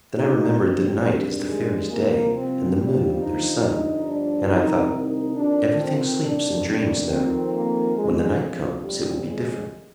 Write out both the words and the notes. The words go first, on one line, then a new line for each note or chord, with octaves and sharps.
Then I remembered that night is the fairies' day, and the moon their sun; and I thought--Everything sleeps and dreams now: when the night comes, it will be different.
G1 G2 D3 D#4
C4
G#1 G2 D#3
G#3
C2 C3 F3 A#3
C4
D#2 D3 F3 G3
D#4
G1 G2 D3 F3 D#4
D4
C2 C3 D#3 D#4
D#4
F2 D#3 D4
C4
C2 C3 D#3 D4
D4
F2 D#3 C4
A#3
G1 F2 D3 F3 G#3
F3
G1 F2 C3 G3
G#3